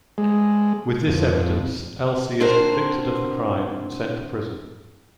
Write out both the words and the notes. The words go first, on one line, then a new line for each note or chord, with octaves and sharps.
With this evidence, Elsie is convicted of the crime and sent to prison.
G#3
F2
C4 D4 F#4 A#4 C5